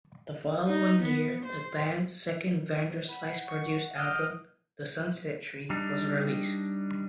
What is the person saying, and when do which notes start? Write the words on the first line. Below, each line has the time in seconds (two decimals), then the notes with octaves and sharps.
The following year, the band's second Vanderslice-produced album, "The Sunset Tree", was released.
0.67 D#4
1.02 B3
1.45 C5
3.09 F#5 B5
3.47 C#6
3.95 D#5 G5 F6
5.70 G3 D4 D#4